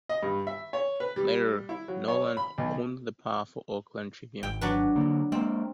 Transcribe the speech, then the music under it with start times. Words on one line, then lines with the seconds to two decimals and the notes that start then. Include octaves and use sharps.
Later, Knowland owned the powerful "Oakland Tribune".
0.09 D#5
0.23 G2
0.47 E5
0.73 C#5
1.00 B4
1.16 G3
1.69 E4
1.88 F#3
2.08 C#5
2.37 B5
2.58 B1
4.43 G#1 G5
4.61 F#3 D4 B4
4.96 D3 A#3
5.32 G#3 A#3 C4